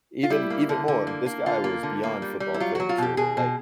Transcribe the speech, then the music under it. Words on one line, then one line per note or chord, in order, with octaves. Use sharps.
even even more, this guy was beyond football player material. Like,
F4
G3 E4
A#3
D3
D3
A#3
A#3
D3 F4
A#3
D3
A#3
G3
G3
E4
F#3 F4
F#3 F#4
F4
B2 G4
B2 G#4
B2